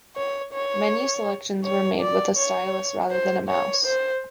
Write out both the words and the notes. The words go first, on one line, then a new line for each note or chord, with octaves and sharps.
Menu selections were made with a stylus rather than a mouse.
C#5
C#5
C#5
D5
C#5
C5
C#5
C5